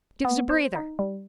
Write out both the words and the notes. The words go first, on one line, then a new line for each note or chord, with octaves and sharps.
Give's a breather.
B3
C5
D#4
G3